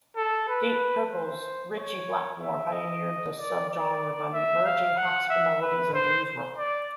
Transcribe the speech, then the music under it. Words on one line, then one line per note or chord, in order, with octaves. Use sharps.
Deep Purple's Ritchie Blackmore pioneered the subgenre by merging classical melodies and blues rock.
A4
B4
C5
C#5
E5
D#5
D5
D5
E5
F5
F#5
E5
B4
C5
D5